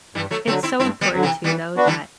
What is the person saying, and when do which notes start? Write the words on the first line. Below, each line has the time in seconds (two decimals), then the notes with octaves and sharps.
it's so important too, though, that
0.15 G2 E3 G3
0.31 F#3 A3
0.47 D3 F#3 A3 C4
0.63 C4 E4
0.80 G2 C4 E4
1.01 G3 B3
1.12 D3 F#3
1.23 C3 E3
1.44 E3 G3 B3
1.76 B3 D4 F#4
1.87 E3 G3